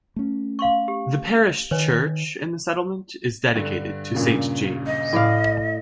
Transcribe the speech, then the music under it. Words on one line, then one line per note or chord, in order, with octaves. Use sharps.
The parish church in the settlement is dedicated to Saint James.
A3 C#4
F5 C6 C#6
G4
D#3 B4 C#5 G#5
G2 D3
G2 A#2 C#3
D#5
A2 D5 F5